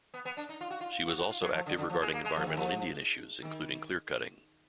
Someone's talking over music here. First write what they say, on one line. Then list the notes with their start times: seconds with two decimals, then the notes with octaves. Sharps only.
She was also active regarding environmental Indian issues, including clearcutting.
0.14 B3
0.25 B3
0.37 D4
0.49 D#4
0.61 F4
0.70 F#4
0.81 F4
1.08 F#4
1.19 F#4
1.31 F4
1.42 F#3
1.54 F3
1.66 D3
1.78 D3
1.89 F3
2.01 G#3
2.13 A#3
2.25 G#3
2.36 F3
2.47 D#3
2.57 F3
3.42 D#3